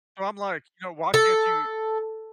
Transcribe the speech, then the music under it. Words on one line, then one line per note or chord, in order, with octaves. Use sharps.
So I'm like, you know, why can't you
A4